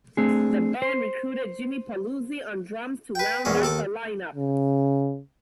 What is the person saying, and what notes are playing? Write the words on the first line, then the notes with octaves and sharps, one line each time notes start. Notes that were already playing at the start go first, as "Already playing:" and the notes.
The band recruited Jimmy Paluzzi on drums to round out the lineup.
A3 C4 D4 G#4
C5
B4 G5
A#1 E2 G#3 C#4 D5
D#2 A4 A5 D6
C#3